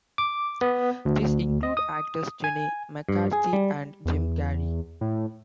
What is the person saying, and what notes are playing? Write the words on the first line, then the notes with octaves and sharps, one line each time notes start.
These include actors Jenny McCarthy and Jim Carrey.
D6
B3
D2
D#5
D#6
G#5
G2
G#4
G3
E2
A2